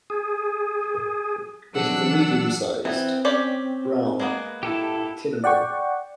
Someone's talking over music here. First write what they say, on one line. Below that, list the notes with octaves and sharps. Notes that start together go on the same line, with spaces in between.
It is a medium-sized, brown tinamou.
G#4
E3 F#3 B3 D4 F#5 E6
E3 B3 C4
C#4 G4 D5
G#3 A#3 B3
E4 G4 A4 A5
D5 F#5 G5 C#6